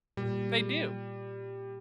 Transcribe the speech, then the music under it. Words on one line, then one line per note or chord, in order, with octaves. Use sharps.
They do.
A#2 G3